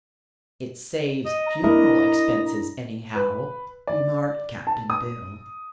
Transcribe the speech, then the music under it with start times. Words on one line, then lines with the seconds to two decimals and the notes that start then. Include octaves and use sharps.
"It saves funeral expenses, anyhow," remarked Cap'n Bill.
1.25 D#5
1.47 A#5
1.63 D4 E4 A#4 D#5
3.16 B4
3.87 D5
4.67 A5
4.90 D#6